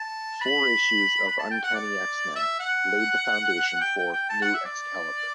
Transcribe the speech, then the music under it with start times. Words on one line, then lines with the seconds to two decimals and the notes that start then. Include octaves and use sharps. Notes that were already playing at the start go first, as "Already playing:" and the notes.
Four issues of "Uncanny X-Men" laid the foundation for "New Excalibur".
Already playing: A5
0.41 B5
1.28 B5
1.39 A5
1.51 G5
1.63 F#5
1.75 D5
2.36 E5
2.60 F#5
3.81 G5
3.98 G5
4.13 G5
4.29 A5
4.42 F#5
4.54 E5
4.65 D5